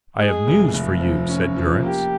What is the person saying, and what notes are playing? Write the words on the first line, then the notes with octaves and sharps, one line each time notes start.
"I have news for you," said Durrance.
G#3 G#4
F1
F1
F3
C#4
F3
A#3 G4